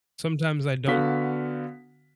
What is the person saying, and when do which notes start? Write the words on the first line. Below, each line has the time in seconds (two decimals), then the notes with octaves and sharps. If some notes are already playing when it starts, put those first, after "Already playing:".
Sometimes I don't
0.87 D3 B3 F#4 F5 B6